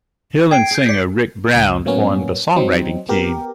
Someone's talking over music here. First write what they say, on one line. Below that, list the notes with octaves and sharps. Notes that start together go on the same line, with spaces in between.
Hill and singer Rick Brown formed a songwriting team.
G5 G#6 C7 D7
G#4 G6 C7
D5 B6 C#7
C#2
A2 F#3 A#3 B3 C#4
F#3 C4 D#4
B3 G4 A#4